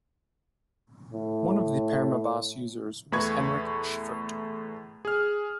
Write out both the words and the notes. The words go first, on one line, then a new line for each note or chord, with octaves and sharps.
One of the Permobas users was Henrik Schyffert.
A2
E2 A3 B4 B5 C#6 G#6
G#4 F6